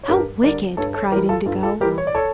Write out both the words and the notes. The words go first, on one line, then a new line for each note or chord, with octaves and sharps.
"How wicked!" cried Indigo.
C#5
G2 G4 A#4
D3 G3 A#4 D5
G2 A4 C#5
A4 C#5
E3 G4 A#4
G3
F4 A4
G2 F4 A4
F4 A4
E3 G3 G4 A#4
C#5
D5
A4 C#5